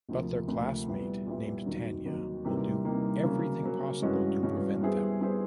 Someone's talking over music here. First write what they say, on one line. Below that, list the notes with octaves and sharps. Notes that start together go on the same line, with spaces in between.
But their classmate named Tanya will do everything possible to prevent them.
D2 C3 F3 A#3
D2 C3 F3 A#3
A#2 G3 B3 E4
A#2 G3 B3 E4
D#2 D#3 F#3
D#2 D#3 F#3
C3 E3 G3 A#3 D#4
C3 E3 G3 A#3 D#4
C#3 F#3 A#3
C#3 F#3 A#3
G2 E3 G#3 C#4 F#4
G2 E3 G#3 C#4 F#4
G3 B3 E4 G#4 C5
G3 B3 E4 G#4 C5